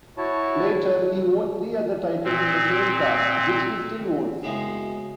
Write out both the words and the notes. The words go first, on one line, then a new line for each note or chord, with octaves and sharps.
Later he won three other titles in the same car, which he still owns.
E4 F#4 C#5 A5
A#2 C4
F#2 C#3 G#3 B3 C4 E4